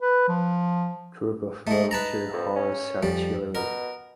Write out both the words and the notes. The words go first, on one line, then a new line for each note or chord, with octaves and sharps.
Troop of Volunteer Horse Artillery.
B4
F3
G#3 A3 D#4
B4 A5 A#5
F2
C#4
F2 G3
B2 A#4